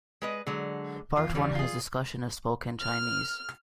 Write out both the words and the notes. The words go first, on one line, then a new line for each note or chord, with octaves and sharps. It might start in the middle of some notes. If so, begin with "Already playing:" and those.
Part One has discussion of spoken Chinese.
G#3 B4 D#5
D3 F#3 G#3
E2 F4
D#3 E3 G3
F4 G#4
F6